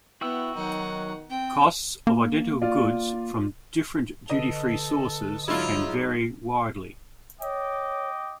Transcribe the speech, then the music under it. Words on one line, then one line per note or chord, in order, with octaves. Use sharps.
Costs of identical goods from different duty-free sources can vary widely.
B3 E4 F#4 G5 E6
D#3 F#3 D#4 F#5
C4 G5
A#3
F4 D5
D3 A4 B4 D#5
G#2 F#3 E4 F4 D#5
C#5 D#5 G5 D6